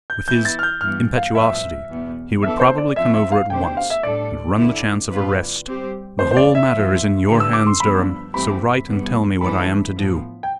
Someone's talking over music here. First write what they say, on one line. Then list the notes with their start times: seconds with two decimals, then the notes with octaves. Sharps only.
With his impetuosity, he would probably come over at once, and run the chance of arrest. The whole matter is in your hands, Durham, so write and tell me what I am to do.
0.10 G6
0.27 E3 B3 E4 G6
0.45 A6
0.59 F6
0.63 G6
0.81 G2 E3 B3 F6
1.17 F5
1.34 A2 F3 B3 E5
1.89 E2 B2 B3
2.43 E3 B3 D4 A4 E5
2.60 C5
2.78 D5
2.96 F3 C4 F4 E5
3.14 E5
3.32 F5
3.50 B2 A3 D4 G4 C5 G5
3.63 G5
3.77 F5
3.90 E5
4.03 A2 G3 D4 A4 D5
4.58 D2 D3 A3 E4
5.11 A2 G3 C4 F4 B4
5.65 G3 C4 G4 C5
6.19 F2 D3 A3 C5
6.31 C5
6.37 D5
6.55 E5
6.72 G2 F3 B3 F4
7.27 D3 A3 D4 G4 B4
7.40 E6
7.53 D6
7.67 C6
7.80 G2 F3 B3 D4 B5
8.34 G2 E3 A3 C4 G4 B5
8.88 E2 C3 G3 B3
9.41 G2 E3 A3 D4 A4 B5
9.95 A2 F3 B3
10.43 G5